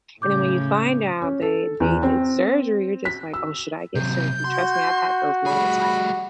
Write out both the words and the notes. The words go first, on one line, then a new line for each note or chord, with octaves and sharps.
And then, when you find out that they did surgery, you're just like, "Oh, should I get surgery?" Trust me, I've had those moments, like,
A2 C#3 D6 G6
C#4
A4
E2
C4
B6
E6
C3 F#3 G6
F#4 C6
G3 G#4 B5